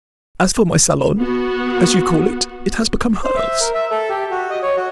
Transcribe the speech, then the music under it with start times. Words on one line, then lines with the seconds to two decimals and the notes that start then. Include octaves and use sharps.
As for my salon, as you call it, it has become hers.
1.17 B3 F#4
3.24 C5
3.36 E5
3.60 A#4
3.74 E5
3.91 A4
4.10 G4
4.31 F#4
4.50 D#5
4.63 C#5
4.77 F#4